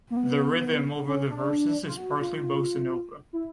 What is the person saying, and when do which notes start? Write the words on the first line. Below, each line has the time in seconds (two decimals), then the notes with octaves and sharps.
The rhythm over the verses is partly bossa nova.
0.10 A#3
0.17 B3
1.07 C#4
1.30 D4
1.87 F4
1.97 F#4
2.20 F4
3.33 E4